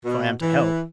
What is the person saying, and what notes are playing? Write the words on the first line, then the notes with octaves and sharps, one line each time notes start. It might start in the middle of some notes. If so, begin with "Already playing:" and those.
"If I am to help...."
B2
E3